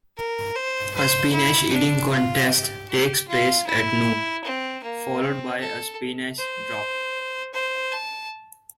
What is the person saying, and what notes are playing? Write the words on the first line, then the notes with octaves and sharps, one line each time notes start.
A spinach eating contest takes place at noon, followed by a spinach drop.
A#4
C5
C5
E4
D4
F4
G4
G4
F4
E4
C4
A#3
C4
A4
C5
C5
A5